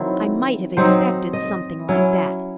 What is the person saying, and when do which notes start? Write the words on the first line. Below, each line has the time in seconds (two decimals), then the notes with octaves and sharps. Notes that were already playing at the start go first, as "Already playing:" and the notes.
I might have expected something like that.
Already playing: D#3 F#3 C4 E4 C#5
0.77 F#3 C4 D#4 C5
1.33 D#5
1.89 F#3 C#4 E4